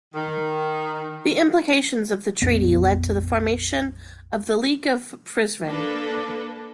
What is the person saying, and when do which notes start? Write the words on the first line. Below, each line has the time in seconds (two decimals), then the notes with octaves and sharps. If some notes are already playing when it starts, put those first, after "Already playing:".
The implications of the treaty led to the formation of the League of Prizren.
0.15 D#3
2.42 A#1 F2 B3
5.66 A#3 D4 A4 B4